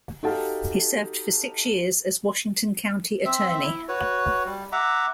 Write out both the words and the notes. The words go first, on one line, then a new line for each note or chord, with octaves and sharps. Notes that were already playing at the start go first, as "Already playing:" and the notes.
He served for six years as Washington County Attorney.
D#4 F#4 G4 A4 F5 A5
C4 E5
E4
F#4 B4 C#5
G3
E5 F#5 A#5 D6